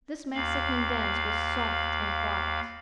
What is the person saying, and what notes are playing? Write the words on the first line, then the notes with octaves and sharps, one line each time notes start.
This Mexican dance was soft and quiet.
D#2 F5 B5